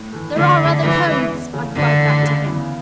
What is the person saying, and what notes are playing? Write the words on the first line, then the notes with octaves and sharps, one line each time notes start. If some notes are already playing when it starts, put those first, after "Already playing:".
"There are other Cones," I cried back to him.
Already playing: A2
E3 A3
D3 E3
A3 E4 G#4
D3 E3
G#3 C#4 E4 G#4
E2
C#3 E3 A3 C#4
F#2 D3
E3 A3
C#3
E3 B3 E4